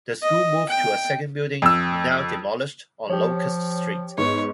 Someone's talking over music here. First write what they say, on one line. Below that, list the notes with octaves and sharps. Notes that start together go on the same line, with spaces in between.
The school moved to a second building, now demolished, on Locust Street.
D#5
G5
F2 E6
F3 G4 C#5
G#2 B3 C#5